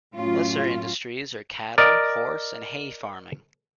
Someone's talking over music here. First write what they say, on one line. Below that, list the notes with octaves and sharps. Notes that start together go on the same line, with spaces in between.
Lesser industries are cattle, horse, and hay-farming.
F#2 A2 C#4 F4
A#4 D5 D#5